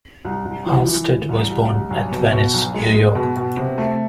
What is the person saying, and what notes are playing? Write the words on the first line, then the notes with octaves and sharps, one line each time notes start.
Halsted was born at Venice, New York.
C2
C2
E3
E3
E3
C2
C2
C2
B1
B2
B2
B1
G#3
G#3
B2
B2
C3
A3